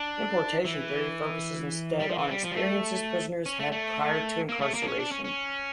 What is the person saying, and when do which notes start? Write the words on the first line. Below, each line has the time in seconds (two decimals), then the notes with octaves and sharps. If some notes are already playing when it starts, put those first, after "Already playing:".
Importation theory focuses instead on experiences prisoners had prior to incarceration.
Already playing: D4
0.65 E3
2.00 G3
2.09 F3
2.18 E3
2.30 G3
2.44 F3
2.51 G3
2.56 A3
3.46 C#4
3.59 A3
3.72 A3
4.49 A#3
4.61 A3
4.74 A#3
4.82 D4
4.87 C#4
4.99 D4
5.12 C#4
5.24 C#4